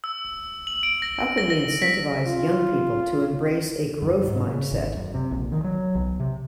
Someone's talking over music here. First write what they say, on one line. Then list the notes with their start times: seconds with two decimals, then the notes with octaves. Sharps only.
How can we incentivise young people to embrace a growth mindset?
0.04 E6
0.67 F#7
0.83 D7
1.02 A#6
1.38 A#6
1.50 A#6
1.82 B6
2.26 F4
4.02 F#2
4.27 G#2
4.47 C#3
4.71 G#1
4.96 F#2
5.14 C3
5.31 A#1
5.52 D#3
5.64 F#3
5.95 B1
6.20 C3